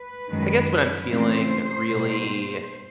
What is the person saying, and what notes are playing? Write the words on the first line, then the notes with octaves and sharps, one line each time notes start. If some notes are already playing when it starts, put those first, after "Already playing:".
I guess when I'm feeling really
Already playing: B4
F#2 D#3 G#3
C#3 E3 A3 C4 C5
B2 G3 A#3